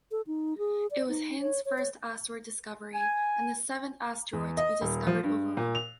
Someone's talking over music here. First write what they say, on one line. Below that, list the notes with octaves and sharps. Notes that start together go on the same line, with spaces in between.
It was Hind's first asteroid discovery and the seventh asteroid to be discovered overall.
A4
D#4
G#4
D5
D#4
C#5
C#5
C#5
G#5
E2
D#5
D#1
F3
G2
A#2
F7